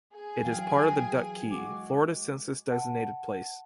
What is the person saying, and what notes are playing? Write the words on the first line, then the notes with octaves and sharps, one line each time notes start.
It is part of the Duck Key, Florida census-designated place.
G#4 G#5
E3 F#3 F5 G5
G#3 F#4 D6
F#5 A5